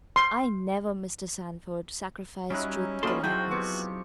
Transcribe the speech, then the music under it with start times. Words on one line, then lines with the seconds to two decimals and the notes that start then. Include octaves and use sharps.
"I never, Mr. Sandford, sacrificed truth to politeness."
0.16 C6
2.50 F#3 G3 C#4 D#4 E4 F#6
3.03 G3 A#3 D#4 F4 F#4 A4 B4 C6
3.24 F3 F#3 C4 E4 F#4 G#4 G5
3.51 C3 B3 G4 C#6